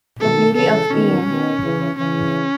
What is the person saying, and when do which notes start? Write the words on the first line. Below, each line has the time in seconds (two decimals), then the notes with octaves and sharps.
The beauty of being.
0.20 B2 D#3 A4
0.56 C#3 E3 A4
0.91 B2 D#3 C#4
1.27 B2 D#3
1.62 C#3 E3
1.97 C#3 E3 C#4